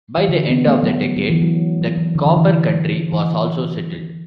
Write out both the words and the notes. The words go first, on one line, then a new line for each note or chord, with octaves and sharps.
By the end of the decade the Cooper country was also settled.
E3
D3
B3
A3
F#3
F#3
E3
F#3
F#3
E3
D3
E3
E3
D3
E3